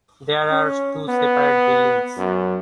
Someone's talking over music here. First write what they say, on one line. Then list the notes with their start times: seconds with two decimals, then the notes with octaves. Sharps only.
There are two separate buildings.
0.51 C#4
1.09 B3
2.18 F#2